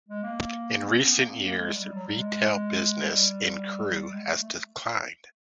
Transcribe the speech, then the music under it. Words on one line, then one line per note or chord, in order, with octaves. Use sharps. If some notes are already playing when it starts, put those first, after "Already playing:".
In recent years retail business in Crewe has declined.
G#3
A#3
B3
C#4
B3
A#3
C4
A#3
G#3
G3
G3
F#3
G3
G#3
G3
G3
G#3
A3
A3